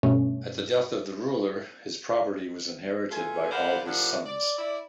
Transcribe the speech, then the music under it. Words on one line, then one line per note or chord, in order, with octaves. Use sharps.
At the death of the ruler his property was inherited by all his sons.
G2 B2 A3 C#4
B2 A3 F4 A4 G#5
A#4 C5 D5 F5 F#5 B5
A2 F3 D4 G4 A#4 F#5
D5
E4 D5